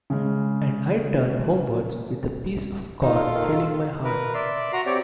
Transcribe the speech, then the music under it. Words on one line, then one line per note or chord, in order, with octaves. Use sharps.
And I turned homewards with the peace of God filling my heart.
C#3 G#3
D#4 F4 A4
D#3
A#4 B4
D5 E5 C6
F#4 A#5 C6
C4 G4 C#5 D5